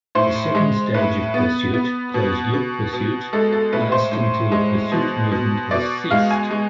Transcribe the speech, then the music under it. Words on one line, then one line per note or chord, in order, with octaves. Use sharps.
The second stage of pursuit, closed-loop pursuit, lasts until the pursuit movement has ceased.
A2 C5
G#3
A2 B4
B3
B3
B2
B2
B2
G#3 A4
A4
A2 B4
C5
A2
G#3
B2
B2
B2 D5
G#3 F5
G#5
G#3